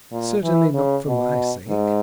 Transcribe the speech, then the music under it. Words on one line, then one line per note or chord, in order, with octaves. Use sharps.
"Certainly not for my sake."
A#2
E3
C#3
B2
G#2